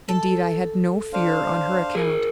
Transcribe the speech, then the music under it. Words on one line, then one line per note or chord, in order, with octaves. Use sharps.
Indeed I had no fear on her account.
A4
D4 C5 F5
G#4 A#4